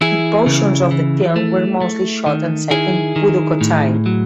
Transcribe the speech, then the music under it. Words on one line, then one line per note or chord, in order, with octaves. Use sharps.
The portions of the film were mostly shot and set in Pudukkottai.
E3 E4 G#4
C#3
E3
A3
A3
D#3
D#3 E4 G#4
D#3
A2
F#3